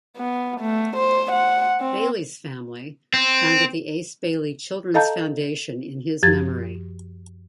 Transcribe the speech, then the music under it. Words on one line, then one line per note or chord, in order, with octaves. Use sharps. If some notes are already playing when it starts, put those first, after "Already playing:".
Bailey's family founded the Ace Bailey Children's Foundation in his memory.
B3
A3
C5
F#5
C4
C4
A4 D#5 F5 A5 A#5 G6
F#2 F3 G4 G#6 A6